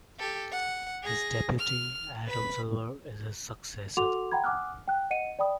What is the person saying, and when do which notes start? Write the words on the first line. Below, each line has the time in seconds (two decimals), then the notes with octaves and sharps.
His deputy, Adam Silver, is his successor.
0.19 G4 A4
0.51 F#5
1.03 G#4 A#6
1.59 F6
2.26 B4 B5
3.97 F#4 A4 F#5 C6 D6 F7
4.32 F#5 G5 A#5 B5 G#6
4.44 F#5 G#5 D6 D#6 F6 F#6
4.88 G5 F#6
5.11 D#5 F#5 C#7 D#7
5.39 D5 G5 B5 D#6